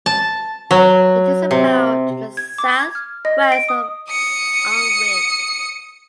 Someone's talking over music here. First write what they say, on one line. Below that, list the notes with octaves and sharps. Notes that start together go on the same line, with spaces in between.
It is about to the south-west of Alnwick.
A5
F#3
C3
G#6
D6
G#6
F6
D#5
D7
D#6
D#6 C#7